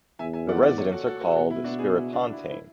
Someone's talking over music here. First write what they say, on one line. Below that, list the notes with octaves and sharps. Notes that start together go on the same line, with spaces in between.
The residents are called Spiripontains.
E2 E5 G#5
E5 G#5
D5 F#5
D5 F#5
A4 C#5
F#4 A4
F#4 A4
F#4 A4
B2 F#4 A4
E4
D4 F#4
E4 G#4
E4 G#4
D4 F#4
E4
E4